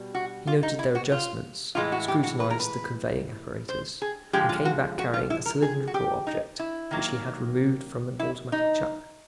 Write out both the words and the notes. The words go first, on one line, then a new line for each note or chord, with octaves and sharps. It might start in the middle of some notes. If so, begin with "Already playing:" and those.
He noted their adjustments, scrutinized the conveying apparatus, and came back carrying a cylindrical object which he had removed from an automatic chuck.
Already playing: B2 G3
F#4
F4
D#4
E4
F#4
F4
A2 E3 G#3 F4
F#4
G4
F#4
B4
A#4
B4
C5
G#4
D3 F3 G#3 G4
F4
F#4
F#4
F4
E4
A#4
G#4
F#4
G4
D#4
E4
D#3 F#3 A#3
E4
D#4